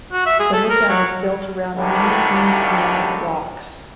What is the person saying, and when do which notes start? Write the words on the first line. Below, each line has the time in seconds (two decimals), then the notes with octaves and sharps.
The lookout is built around many huge granite rocks.
0.13 F#4
0.26 E5
0.40 G#4
0.53 A4
0.70 A#4
0.89 F#3
1.76 A1 D#2 A2 D3 F#3 G3